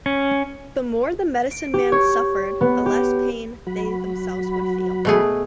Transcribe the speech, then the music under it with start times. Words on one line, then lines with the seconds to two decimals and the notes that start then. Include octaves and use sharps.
The more the medicine men suffered, the less pain they themselves would feel.
0.06 C#4
1.51 D7
1.74 G4
1.92 C#5
2.61 B3
2.86 G4
3.67 F#3 F#4 B5
5.05 B2 A3 G#4